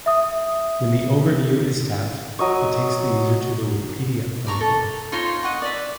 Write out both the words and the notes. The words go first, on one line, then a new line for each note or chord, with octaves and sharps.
When the overview is tapped, it takes the user to the Wikipedia article.
E5 D#6
F#3 D#5 C#6
D5 A#5 C#6
A4
D#4 F4 C5 C#5
D#5 F#5 C#6
D5 E5